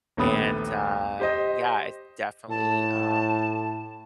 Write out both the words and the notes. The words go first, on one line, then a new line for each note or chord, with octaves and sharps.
and, uh, yeah, it's definitely, um,
A#1 D#2 A3 B3 B5 D#6
G4 C5 D#5
A2 A5